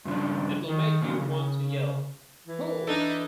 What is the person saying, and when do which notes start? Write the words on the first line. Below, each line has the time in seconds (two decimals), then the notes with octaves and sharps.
It'll make you want to yell 'Woooh!
0.05 G2 C#3 F3 D4
0.69 D#3
1.01 A#2 C#3 F3 A#3
1.20 C#3
2.47 E3
2.87 D4 D#4 A4